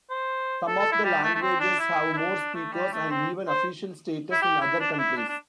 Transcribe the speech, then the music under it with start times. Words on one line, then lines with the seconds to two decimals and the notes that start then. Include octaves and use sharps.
Some of the languages have more speakers, and even official status, in other countries.
0.10 C5
0.67 A4
0.79 A4
0.92 E4
1.04 G3
1.23 A3
1.35 A3
1.42 C4
1.60 D4
1.79 E4
2.13 E4
2.17 D4
2.54 A3
2.73 G3
2.92 A3
3.11 C4
3.48 C5
4.32 E4
4.42 G4
4.61 E4
4.80 D4
4.93 D4
4.98 E4
5.17 D4
5.28 D4